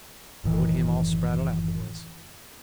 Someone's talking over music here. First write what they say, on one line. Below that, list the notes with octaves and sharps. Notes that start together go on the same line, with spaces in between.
Go to him all spraddled out, boys.
F#1 A2 D#3 E3